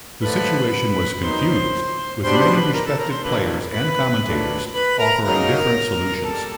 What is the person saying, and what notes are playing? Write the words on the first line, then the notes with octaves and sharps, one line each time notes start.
The situation was confused, with many respected players and commentators offering different solutions.
D3 F3 A3 B4 B5
A#2 F#3 B3 D#4 C5 C6
B2 G3 B3 D4 C5 C6
B5
C5 C6
B4 B5
A#4 A#5
A4 A5
A#4 A#5
C5 C6
C3 D#3 F#3 A#3 D4 B4 B5
B4 B5
A#2 F#3 A3 D4
B4 B5
A#4 A#5
C#3 F#3 A#3 D#4 A#4 A#5
A#2 G3 A#3 A4 A5